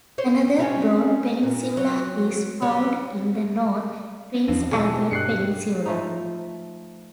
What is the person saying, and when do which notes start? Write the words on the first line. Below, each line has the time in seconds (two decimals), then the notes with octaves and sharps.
Another, broad peninsula is found in the north, Prince Albert Peninsula.
0.18 C5 C#5
0.59 G3 C4 C#4
1.43 A#2
1.77 F#3
2.62 F#3 G3
4.48 E2 F3 C4
4.72 B2 G3 E4 A4 G#5
5.11 G2 G5 F#6 C7 C#7
5.86 F3 A3 D#4